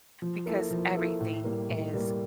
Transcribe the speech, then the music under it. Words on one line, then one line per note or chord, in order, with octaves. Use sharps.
because everything is
F3
A#3 E4 A4
F3
A#3 E4 A4
A2
G3 A#3
A2
G3 A#3